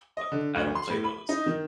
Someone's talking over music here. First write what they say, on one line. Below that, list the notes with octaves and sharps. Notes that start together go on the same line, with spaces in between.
but I don't play those,
D#5
D3
D2
C6
A2
B5
D#4
D#3